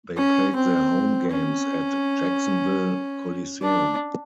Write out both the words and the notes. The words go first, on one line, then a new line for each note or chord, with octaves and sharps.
They played their home games at Jacksonville Coliseum.
C#4
C4
C#4
D4